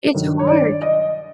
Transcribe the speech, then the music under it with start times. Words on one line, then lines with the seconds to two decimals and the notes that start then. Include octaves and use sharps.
It's hard,
0.14 G2 D#3 F#3
0.39 C#5
0.47 D5
0.82 D#5